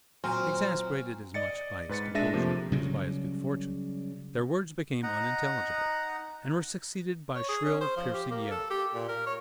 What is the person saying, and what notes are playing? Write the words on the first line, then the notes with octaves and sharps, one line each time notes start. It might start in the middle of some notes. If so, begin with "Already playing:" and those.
Exasperated as much by his composure as by his good-fortune, their words became unintelligible, and were succeeded by shrill, piercing yells.
A#2 F#3 C4 G#5 C6 F6
D5 D#5 A6 C#7
G#2 B4 A6 C#7
G#3 D4 E5 A6 A#6 D#7
C3 F3 A3 A#3
C#3 F#3 G3
D#4 F#5 A#5
C#5
G#4
C#4
C5
F3
G4
A#3
A4
G4
A#2
A#4
C#5